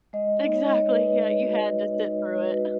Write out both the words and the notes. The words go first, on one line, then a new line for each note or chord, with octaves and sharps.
Exactly, yeah, you had to sit through it.
G#3 D#5
D#4
C#5
G#3 D#5
C#5
G#3 B4
G#3
F#4
G#3
D#4
G#3
F#4 B4